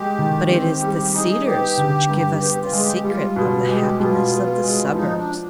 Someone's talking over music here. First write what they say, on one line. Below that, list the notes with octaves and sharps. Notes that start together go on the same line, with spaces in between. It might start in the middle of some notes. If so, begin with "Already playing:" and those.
But it is the Cedars which gives us the secret of the happiness of the suburbs.
Already playing: G#3 G4
D#3
C4 G4
G3
D#4 G#4
B3 G4
D3
G2
B3 G4
F4
G#3
G4
G3 F4
B2
G#3 G4
B2 F4
B3
G#3
F3 D#4
D4